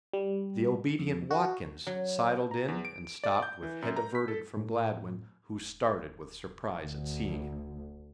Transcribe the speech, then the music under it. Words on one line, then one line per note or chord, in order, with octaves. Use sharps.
The obedient Watkins sidled in and stopped with head averted from Gladwin, who started with surprise at seeing him.
G3
F2
F#4
F#3
A#5
E2
D7
D5
G6
E3
F#2
A#5
B6
A4
A2
D#1
D2